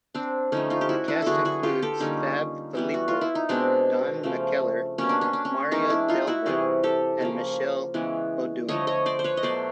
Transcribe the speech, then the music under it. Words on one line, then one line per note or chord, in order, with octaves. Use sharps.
The cast includes Fab Filippo, Don McKellar, Marya Delver and Michelle Beaudoin.
C4 D4
D3 F3 A3 C#4 D#4
D#4 F4
G4
E4 F#4
D4 E4
D3 F#3 B3 F#4 G#4 A4
F#4 G#4
F4 G4
G4 A4
D3 G3 A#3 C#4 D#4
E3 G3 B3
F#4
F4
E4
D#4
B2 G#3 B3 C4 D4
C#3 F3 A3
B2 G3 A#3 C#4
D4
C#4
D4
C#4
E3 G#3 B3 C#4 D#4
D4 E4
D#4 F4
E4 F#4
C3 E3 G3 F#4 G#4
G4 A4
C#3 F3 A#3
C#3 E3 G#3 B3
D3 F3 A3 C#5 D#5
C#5 D#5
C5 D5
C5
B4 C#5
D#5
B2 F#3 A3 C5 D5